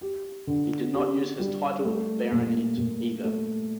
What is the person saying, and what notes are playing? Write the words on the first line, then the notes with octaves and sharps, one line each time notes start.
He did not use his title of baronet either.
G4
D3
G4
G3
A3
A#2
A#2
A3